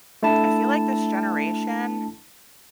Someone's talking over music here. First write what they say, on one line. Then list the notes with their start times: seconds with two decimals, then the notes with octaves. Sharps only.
I feel like this generation-
0.23 A3 D4 E4 A5